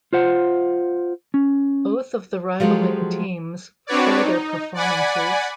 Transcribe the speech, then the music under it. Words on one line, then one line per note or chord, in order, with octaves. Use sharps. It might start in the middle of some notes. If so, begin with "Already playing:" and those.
Both of the rivaling teams show their performances.
F4 C5 F#5
C#4
F3 F#3 G#3 G4 A4
C4 D4 F#4 B4 C#5 D5
D#4
D5 F#5 G#5 B5